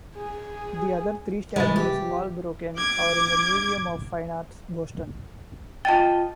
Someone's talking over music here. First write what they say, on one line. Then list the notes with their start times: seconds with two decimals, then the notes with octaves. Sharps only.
The other three statues, all broken, are in the Museum of Fine Arts, Boston.
0.16 G#4
1.56 C2 E3 G#3 B4 A6
1.76 G4
2.01 F3
2.78 D6 G#6
5.85 F4 D#5 G5 A5 A6